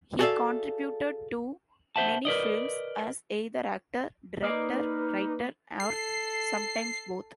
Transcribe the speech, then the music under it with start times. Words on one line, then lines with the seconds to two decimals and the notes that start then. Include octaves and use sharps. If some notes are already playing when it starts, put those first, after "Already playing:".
He contributed to many films as either actor, director, writer or sometimes both.
0.19 F#4 G#4 A4 D5 E5 F5
1.96 C5 E5 F#5 A5
2.25 A#4 B4 D5 D#5
4.42 A#3 D#4 B4 D5
5.80 A4 C7